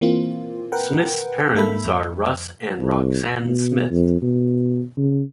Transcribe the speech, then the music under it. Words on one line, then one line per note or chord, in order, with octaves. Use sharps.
Smith's parents are Russ and Roxanne Smith.
E3 A#3 C4 F4
A#4 B4 F#5 G5
G#2 A#3 A4 E5 B5
F2
C2
B2
F2
B2
C#3